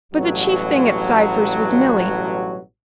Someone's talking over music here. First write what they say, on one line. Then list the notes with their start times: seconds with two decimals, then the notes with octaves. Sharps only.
But the chief thing at Cypher's was Milly.
0.13 A1 G2 B2 F#3